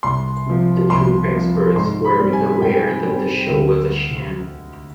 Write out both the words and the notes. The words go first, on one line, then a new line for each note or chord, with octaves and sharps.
The true experts were unaware that the show was a sham.
C2 C6
C3 F3
C2 C6
C3 F3
G#2 C6
B5
G3 C4
G#5
G#2 G5
G3 C4
D2